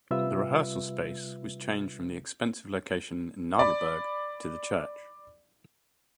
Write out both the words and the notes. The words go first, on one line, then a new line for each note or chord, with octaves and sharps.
The rehearsal space was changed from the expensive location in Nadelberg to the church.
C3 G3 F4 B4 E5 E6
D5 B5